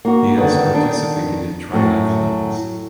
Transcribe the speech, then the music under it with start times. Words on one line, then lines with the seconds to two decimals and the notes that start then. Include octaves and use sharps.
He has participated in triathlons.
0.05 A#3 F#4
0.37 D3 D#3 F3 G#3 B4
0.74 D#3 D4
1.72 F#2 A2 F#3